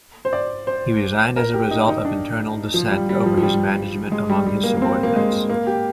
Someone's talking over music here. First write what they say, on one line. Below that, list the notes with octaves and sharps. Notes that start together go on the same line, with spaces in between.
He resigned as a result of internal dissent over his management among his subordinates.
C5
D5
C5
A#4
G4
D#4
D#4
D4
F3
G3
G3
F3
F3
G3
G#3
G3
G3
A#3
A#3
C4
A#3
G#3
A#3
G4